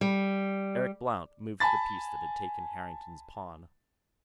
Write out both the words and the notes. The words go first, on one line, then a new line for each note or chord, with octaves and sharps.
Eric Blount moved the piece that had taken Harrington's pawn.
G3
G#5 A5 B5 A6